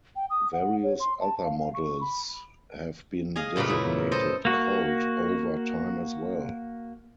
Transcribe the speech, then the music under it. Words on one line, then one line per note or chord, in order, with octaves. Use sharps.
Various other models have been designated "Colt" over time as well.
G5
D#6
F#5
C#5
C6
A5
F5
F5
C#6
B5
G#4 D#5 F5
F#2 A#2 C#3 A3 B4
E4
A4 C5 D#5
A#3 F#4